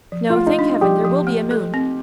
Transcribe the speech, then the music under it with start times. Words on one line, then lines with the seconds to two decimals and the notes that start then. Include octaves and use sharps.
No, thank heaven, there will be a moon.
0.12 F3
0.30 F4
0.36 A3
0.46 D#4
0.59 D4
0.81 F3 G4
1.05 F3
1.27 A3
1.51 A4
1.74 C4